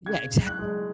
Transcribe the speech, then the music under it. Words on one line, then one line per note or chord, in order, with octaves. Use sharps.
Yeah, exactly.
C#3 G#6
C#3
F#6
G#3